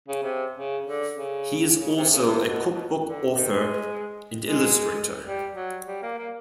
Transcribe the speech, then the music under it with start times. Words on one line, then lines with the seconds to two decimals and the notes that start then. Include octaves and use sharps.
He is also a cook book author and illustrator.
0.08 C#3
0.23 C3
0.56 C#3
0.86 D3
1.17 C#3
1.80 C#3
1.96 C3
2.12 C#3
2.27 C3
2.43 B2
2.74 B2
3.05 D3
3.37 D#3
3.52 G#3
4.46 G#3
5.25 G3
5.55 F#3
5.87 G3
6.03 A#3
6.18 A#3